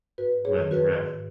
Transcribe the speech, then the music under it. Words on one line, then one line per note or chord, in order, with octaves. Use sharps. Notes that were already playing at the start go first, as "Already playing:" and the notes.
When the Rev.
G#2 F#4 B4
G#4 C#5
D#3
F#4 B4
G#2